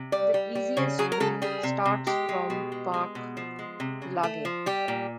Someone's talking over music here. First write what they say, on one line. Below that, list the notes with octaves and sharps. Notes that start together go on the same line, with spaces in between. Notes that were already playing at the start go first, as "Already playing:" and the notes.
The easiest way starts from Park Lage.
Already playing: C3
G3 D5
G3
G3
C#3 C#5
F#3 G#4
A#4
C#3 A4
G3 G#4
C3
C3
G#3 G4
G#3
B2
G#3
G#3
B2
F3
G#3
C3
C#3
A3
F3
G3 G4
A#2